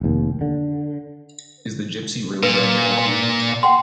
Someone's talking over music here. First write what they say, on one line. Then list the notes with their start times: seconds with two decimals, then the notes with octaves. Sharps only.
Is the gypsy really going to help you?
0.01 F1 D#2
0.41 D3
2.43 A#2 B4
3.63 F#5 G5 C6